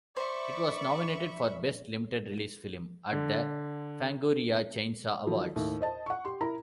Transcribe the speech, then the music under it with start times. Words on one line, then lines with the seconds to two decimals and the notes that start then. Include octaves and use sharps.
It was nominated for Best Limited Release Film at the Fangoria Chainsaw Awards.
0.16 C5 D5 E5 B5 C#6
3.13 D3
5.27 D#3 F3 F#3
5.56 D#2 A2
5.81 C5 D#5 A5
6.06 F#5 C#6
6.25 G4 C6
6.41 E4 A#4 A#5